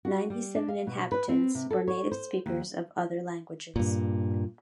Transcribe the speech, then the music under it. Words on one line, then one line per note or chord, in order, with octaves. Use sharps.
Ninety-seven inhabitants were native speakers of other languages.
F#4
G3
D4
F5
B2
B4
C4
C3
A4
C#5
C5
D#2
G2 A#2